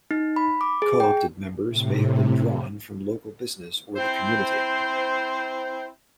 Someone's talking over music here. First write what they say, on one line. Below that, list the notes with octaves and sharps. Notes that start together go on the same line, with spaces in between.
'Co-opted' members may have been drawn from local business or the community.
D#4
B5
D6
G#4
G5
A2 C3
C4 E4 C5